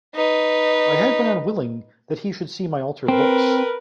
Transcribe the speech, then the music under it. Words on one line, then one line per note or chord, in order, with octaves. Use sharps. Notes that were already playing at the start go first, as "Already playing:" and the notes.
I had been unwilling that he should see my altered looks.
D#4 B4
C4 A#4 B4